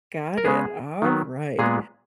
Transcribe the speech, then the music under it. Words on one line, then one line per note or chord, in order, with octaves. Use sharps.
got it, all right.
A#4
C#3 G#3 B3 G#4
D#3 F#3 B3
A#2 G#3 B3 G#4